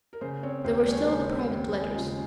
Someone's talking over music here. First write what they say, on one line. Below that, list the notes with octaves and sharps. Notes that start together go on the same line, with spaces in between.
There were still the private letters.
A#4
C#3 C5
C4 C#5
D#2 C5
G#3 C#5
A#4
C#3 C5
C4
D#2
G#3
C#3 F4